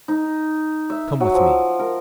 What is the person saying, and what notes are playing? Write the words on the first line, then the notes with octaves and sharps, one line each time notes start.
Come with me.'
D#4
E5
F#3
F3
A#4